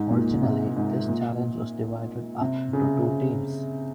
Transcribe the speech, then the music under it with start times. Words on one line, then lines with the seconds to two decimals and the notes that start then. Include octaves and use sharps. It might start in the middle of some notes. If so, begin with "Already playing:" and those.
Originally this challenge was divided up into two teams.
Already playing: G#2
0.11 A#2
0.43 C3
0.76 G#2
1.08 A#2
2.41 C3
2.73 C#3
3.06 C#3